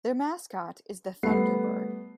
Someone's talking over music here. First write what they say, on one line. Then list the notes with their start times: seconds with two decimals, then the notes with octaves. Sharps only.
Their mascot is the Thunderbird.
1.23 G3 A3 B3 C7